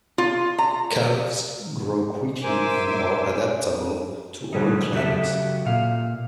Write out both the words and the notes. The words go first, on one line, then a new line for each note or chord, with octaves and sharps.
Calves grow quickly and are adaptable to all climates.
F4
A#5
A#4 C5 E5 G#5 C6 D6
D3 F#3 G3 D#4
C#3 F#3 F#4 G4 A4 E5
A#2 F5